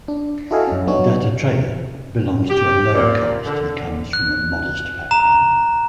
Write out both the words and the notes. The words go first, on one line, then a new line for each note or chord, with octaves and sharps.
Dattatreya belongs to a lower caste and comes from a modest background.
D4
E4 F#4 A4 D#5 F5 G#5
F#2 C#4
F#3 B3 D4 D#4 F#4 C#5
G4
A#2
D3
F#6
A#5 E7